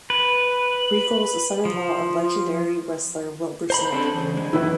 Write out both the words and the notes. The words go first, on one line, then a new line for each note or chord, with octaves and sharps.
Regal is the son-in-law of legendary wrestler Wilbur Snyder.
B4
F3
C5 A#5 B5
C4 D4 A4
E2 C#3
D3 G#3
F#2 D#3 E3 E4 B4